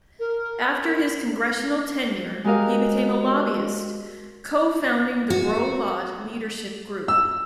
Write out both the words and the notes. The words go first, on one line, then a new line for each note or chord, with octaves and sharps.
After his congressional tenure, he became a lobbyist, co-founding the Breaux-Lott Leadership Group.
A#4
G#3 F#4 G4 A#4 D#5 F5
F#4
E6